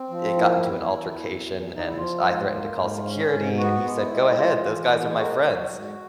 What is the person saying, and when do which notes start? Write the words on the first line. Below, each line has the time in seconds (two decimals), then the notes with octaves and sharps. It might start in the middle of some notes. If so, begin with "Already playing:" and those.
it got into an altercation, and I threatened to call security, and he said, "Go ahead, those guys are my friends."
Already playing: C4
0.10 F3
0.37 A#3 E4
0.64 E2
0.92 E2
1.18 E2
1.45 E2
1.71 E2 D#4
1.87 E4
1.98 F3 F4
2.24 G#2
2.52 A#3
2.77 G#2
3.05 C#4
3.32 G#2
3.58 B3 F#4
3.85 G#3
3.99 E4
4.11 G#3
4.27 E4
4.38 E3 F4
4.66 E3
4.92 G#3
5.18 A#3 F#4
5.46 F#3
5.72 G#2